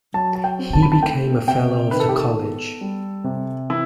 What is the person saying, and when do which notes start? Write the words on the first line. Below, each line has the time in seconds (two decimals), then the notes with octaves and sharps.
He became a fellow of the College.
0.14 F#3 A5
0.35 A5
0.44 G5
0.59 C4
0.73 A5
0.82 B5
0.92 A5
1.03 A3 G5
1.47 C3 G5
1.91 D#3 B4
2.00 A4
2.09 G4
2.17 A4
2.36 B3
2.81 G3
3.24 C3
3.70 E3 E4